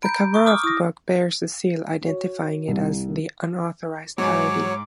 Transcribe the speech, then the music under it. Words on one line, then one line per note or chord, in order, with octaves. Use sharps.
The cover of the book bears a seal identifying it as The Unauthorized Parody.
A#5 B5 G6 D7
C#6 D#6
D6 D#6 F6
E4 C#6 D#6 A#6
F#4 C#5
C2
G#2 F#3 C#5 G#5 D6